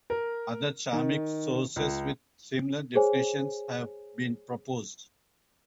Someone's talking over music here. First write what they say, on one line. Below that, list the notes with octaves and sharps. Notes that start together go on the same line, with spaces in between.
Other Chamic sources, with similar definitions, have been proposed.
A#4
D#3
C#2
G#4 C5 C#5 G#5